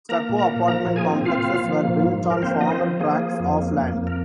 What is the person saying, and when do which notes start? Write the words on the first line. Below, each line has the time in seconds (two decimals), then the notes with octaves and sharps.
Stucco apartment complexes were built on former tracts of land.
0.09 A#3 A#4 A#5
0.29 A#2
0.38 A#4 A#5
0.47 A#3
0.68 F3 A#4 A#5
0.87 A#2
0.96 G#4 G#5
1.06 C4
1.25 A#2 F4 F5
1.45 A#2
1.64 F3
1.83 A#3
2.04 G#2
2.23 F3
2.30 A#4
2.42 A#3 C4 C5
2.61 F3 D#5
2.71 C4 C5
2.82 F3
3.00 A#3 G#4
3.20 F3
3.40 F2
3.58 A#3
3.78 F2
3.97 F2
4.07 A#4